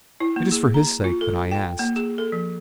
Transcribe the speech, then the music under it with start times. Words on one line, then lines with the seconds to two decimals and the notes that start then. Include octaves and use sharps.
It is for his sake that I asked.
0.20 E4
0.36 A#3
0.52 G#4
0.74 A#5
1.04 F4
1.21 A4
1.51 G5
1.79 A#3
1.96 G#4
2.18 A4
2.32 F3